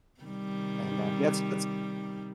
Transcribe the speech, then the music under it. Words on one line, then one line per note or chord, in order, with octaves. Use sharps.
and, uh, yeah that's that's
C3 D#3 G3